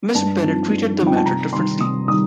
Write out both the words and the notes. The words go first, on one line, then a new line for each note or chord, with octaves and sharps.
Mr. Bennet treated the matter differently.
G2 A5
F3 C4 D#4
G2
F3 C4 D#4
G5
A5
C3 A#5
D#3 G3 C6
C3 D#6
D#3 G3 D#6